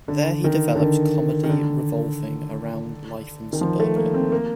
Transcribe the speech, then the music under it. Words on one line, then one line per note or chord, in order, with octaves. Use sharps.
There, he developed comedy revolving around life in suburbia.
D3
D#3
D3
D#3
D#3
D3
D#3
F3
A3
A#3
C4
A#3